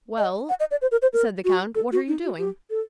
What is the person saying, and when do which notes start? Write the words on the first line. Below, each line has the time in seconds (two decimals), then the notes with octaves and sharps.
"Well," said the count, "what are you doing?"
0.18 D#5
0.49 F#5
0.60 D#5
0.71 D5
0.82 C5
0.91 A#4
1.02 C5
1.13 A#4
1.44 F#4
1.75 A4
1.92 F#4
2.08 D#4
2.24 F#4
2.38 G4
2.70 A4